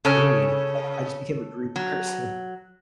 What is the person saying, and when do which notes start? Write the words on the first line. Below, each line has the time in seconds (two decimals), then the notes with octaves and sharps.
greed, like, I just became a greedy person,
0.05 C#3 A4 C#5 F6
1.76 F#3